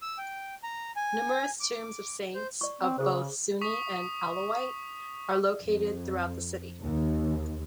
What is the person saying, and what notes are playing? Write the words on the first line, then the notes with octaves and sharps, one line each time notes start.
Numerous tombs of saints, of both Sunni and Alawite, are located throughout the city.
E6
G5
A#5
G#5
D6
C5
D5 C#6
C4
C#3 G#4 A4 C5
C#6 D#6 B6
F2
D#2